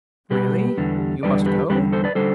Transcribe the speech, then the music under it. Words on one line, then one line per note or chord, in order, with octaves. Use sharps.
Really--you must go?
B2 G3 G4 B4
E2 D3 G3
E2 D3 G3 B4 D5
G4 B4
E2 D3 G3 G4 B4
A4 C5
B4 D5
D3 G3 A4 C5